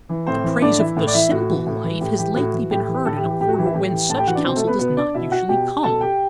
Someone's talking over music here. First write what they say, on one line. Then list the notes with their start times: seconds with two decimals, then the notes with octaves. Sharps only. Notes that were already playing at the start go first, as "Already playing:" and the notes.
The praise of "the simple life" has lately been heard in a quarter whence such counsel does not usually come.
0.09 E3
0.26 A2 C4 C5
0.44 E3
0.61 A2 D4 D5
0.79 E3 E4 E5
0.96 A2
1.07 D5
1.14 E3 E4 E5
1.31 A2 F#4
1.49 E3
1.66 A2
1.84 E3
2.01 A2 G4
2.18 E3 G4
2.36 A2 F#4
2.53 E3
2.71 A2 G4
2.82 G4
2.88 E3
2.94 G4
3.05 A2 A3 A4
3.16 G4
3.23 E3
3.29 G4
3.40 A2 G4
3.49 F#4
3.57 E3 G4
3.66 E4 E5
3.74 A2 G4 G5
3.93 E3
4.09 A2 A4 A5
4.18 G4 G5
4.27 E3 F#4 F#5
4.35 D4 D5
4.44 B2 C4 C5
4.56 A3 A4
4.67 B3 B4
4.79 B2 B3 B4
4.97 D4 D5
5.14 B2 E4 E5
5.32 F#4 F#5
5.49 B2 G4 G5
5.83 B2 A4 A5
6.01 G4 G5